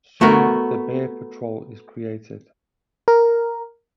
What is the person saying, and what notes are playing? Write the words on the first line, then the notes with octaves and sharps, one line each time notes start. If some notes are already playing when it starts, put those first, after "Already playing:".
Soon, the Bear Patrol is created.
A3 B3 F#4 A#4
A#4